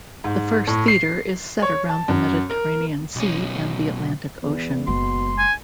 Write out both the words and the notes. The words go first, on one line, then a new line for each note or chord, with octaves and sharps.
The first theater is set around the Mediterranean Sea and the Atlantic Ocean.
G#2
A2
C7
C#5
A5
F#2
A#4
B1 C#4
E2
F#1 B2 G#3 C6
G#5